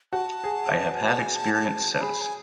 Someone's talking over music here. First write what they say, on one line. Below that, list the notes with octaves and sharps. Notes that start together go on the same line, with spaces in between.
I have had experience since.
F#4 A5
G#4
C#5
B4
A5
G#5
A5
A5
A5
G#4 B5
G#5